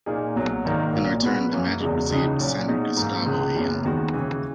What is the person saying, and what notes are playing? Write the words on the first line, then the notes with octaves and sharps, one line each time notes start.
In return the Magic received center Gustavo Ayon.
A#2 A#3 D#4 G#4
B1 B2 F#3
A#1 G#2 D#3 A#3
B1 A#2 A#3
B2 G#3 B3 F#4 B4
F#2 E3 A#3 C#4
E1 E2 C#3 G#3
C#2 C#3 E3 G#3 D#4
A#2 F#3 C#4
B2 G#3 D#4
G#2 E3 A#3
C#2 C#3 G#3
F#1 F#2 E3 B3
D#2 D#3 G#3 B3 F#4
D#2 C#3 E3